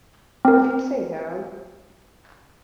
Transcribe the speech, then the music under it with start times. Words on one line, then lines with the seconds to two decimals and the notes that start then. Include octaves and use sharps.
What do you say, Harold?
0.45 C4 A#4